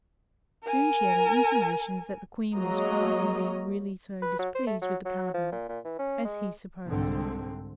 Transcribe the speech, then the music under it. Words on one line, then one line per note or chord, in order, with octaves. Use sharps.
Soon she added intimations that the Queen was far from being really so displeased with the cardinal, as he supposed.
A#4 G#5
F#3 G#3 A#3 C#5 D#5 A#5
B4
F#3
C5
A3
F#3
F#3
F3
A#2
A#2
E3
C#4
G#3
C2 G#2 D3 C4